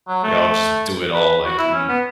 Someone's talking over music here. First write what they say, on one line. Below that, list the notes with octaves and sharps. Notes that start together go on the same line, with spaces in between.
like, I would just do it all like, and
F#3
A3
B4
F#4
E4
C#4
B3